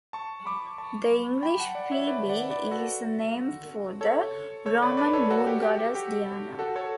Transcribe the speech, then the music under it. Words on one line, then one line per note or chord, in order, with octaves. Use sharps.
The English "Phoebe" is a name for the Roman moon-goddess Diana.
A5 C#6
B5 D6
A5 C#6
G5 B5
F#5 A5
D5 F#5
C#5 E5
B4 D5
D5 F#5
B4 D5
F#4 A4
A4 C#5
A4 C#5
B4 D5
B4 D5
A4 C#5
F#4 A4
G4
G4
G4
G4
F#4 A4
A4 C#5